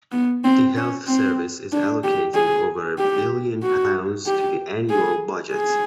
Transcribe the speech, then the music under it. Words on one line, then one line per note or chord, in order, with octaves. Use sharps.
The health service is allocating over a billion pounds to the annual budget.
B3
C4
C#4
C4
D4
G4
G#4
G4
F#4
G4
G#4
G#4